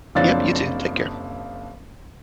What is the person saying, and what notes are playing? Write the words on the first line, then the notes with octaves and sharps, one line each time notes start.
Yep. You too. Take care.
F#1 F3 C4 D4 C#5 A6